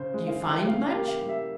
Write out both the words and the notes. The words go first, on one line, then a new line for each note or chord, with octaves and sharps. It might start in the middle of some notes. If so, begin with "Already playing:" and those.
"Do you find much?"
Already playing: C#3 C5
G#3
F5
E3
G5
C#3 F5
G4
A#3
F5
G3
E5